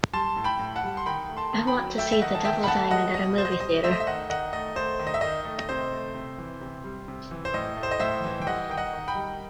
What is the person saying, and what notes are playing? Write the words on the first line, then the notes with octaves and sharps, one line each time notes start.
I want to see The Devil Diamond at a movie theatre.
G3 A5 C6
A2
G5 B5
A2
F#5 A5
G3
C6
D#3 G5 B5
A3
A5 C6
D#3
G5 B5
F#3
A3 E5 G5
E5
D#3 D#5 F#5
A5
D#3 E5 G5
B5
A3 F#5 A5
G3 D#5 F#5
B2 D#5
B2 C5
D#5
C5
G3 D#5
A3 C5 E5
D#5
E5
D#3 D#5 F#5
D#3 D#5 F#5
A3 D#5
A3 C5
D#3
D#5
E5
D#3 D#5
A3
D#5
C3 C5
A3
C3
E3
C3
G3
C3
E3
C5
A2 D#5
A3
C5
D#5
A2 C5 E5
E3
G5
G3 D#5 F#5
D#3 G5
D#5 F#5
D#3
G5 B5
G3